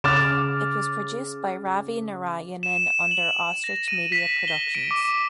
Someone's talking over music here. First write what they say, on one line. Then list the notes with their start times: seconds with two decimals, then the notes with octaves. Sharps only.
It was produced by Ravi Narayanan under Ostrich Media Productions.
0.04 C#3 D6 F6 A6 E7
2.63 E7
3.11 F#7
3.64 A#6
3.88 D#7
4.12 B6
4.48 G7
4.75 D7
4.91 D6